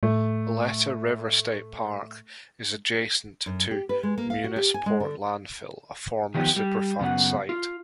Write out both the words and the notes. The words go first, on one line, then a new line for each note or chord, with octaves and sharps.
Oleta River State Park is adjacent to Munisport landfill, a former superfund site.
A2 A3
F#2
G4
B4
G#3
A#3
F5
F#4
G4
G#5
G#3
D3
D#3 F3 B3 G4
G3
F#2 C#3 B3 F#5
F4